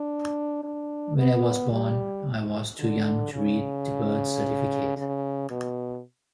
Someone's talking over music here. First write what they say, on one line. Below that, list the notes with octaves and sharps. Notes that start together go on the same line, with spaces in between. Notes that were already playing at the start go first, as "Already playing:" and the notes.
When I was born I was too young to read the birth certificate.
Already playing: D4
D4
B3
G3
D3
C#3
C#3
B2